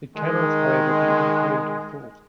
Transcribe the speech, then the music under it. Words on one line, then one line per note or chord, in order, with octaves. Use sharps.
It cannot, however, be independent of thought.
D#3 G#3